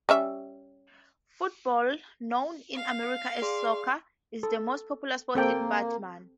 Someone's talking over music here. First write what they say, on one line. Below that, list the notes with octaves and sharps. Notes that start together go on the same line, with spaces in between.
Football, known in America as soccer, is the most popular sport in Batman.
G3 C#4 E5
F5
G#4 D5 C6
A4
A#3 C4 A4 G5